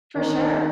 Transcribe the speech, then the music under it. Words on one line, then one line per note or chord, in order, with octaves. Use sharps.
For sure.
D#3